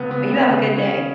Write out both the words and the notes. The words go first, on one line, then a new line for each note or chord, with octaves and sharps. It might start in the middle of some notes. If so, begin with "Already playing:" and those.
Well, you have a good day.
Already playing: C#2 B3
B3
C#3
B3
C#3 B3
C#3 C#4